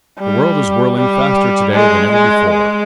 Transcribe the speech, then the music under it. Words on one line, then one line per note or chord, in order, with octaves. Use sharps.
The world is whirling faster to-day than ever before.
G3
G3
G#3
G#3
G#3